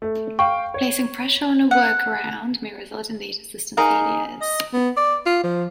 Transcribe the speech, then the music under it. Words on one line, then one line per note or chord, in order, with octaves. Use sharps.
Placing pressure on a workaround may result in later system failures.
A3
F5 G5 C#6
C#5
F#5
D#4 G#4 A#4 F5
D#5
B3
D5
F4
F3